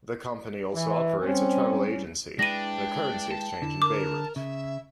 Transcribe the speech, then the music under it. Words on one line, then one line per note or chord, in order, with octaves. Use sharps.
The company also operates a travel agency and a currency exchange in Beirut.
E3
G3 C4 C#4
G#3 D4 E4 B4 G5 A#6 D#7
A5
D3 E4
A#4 D6
C#3 E5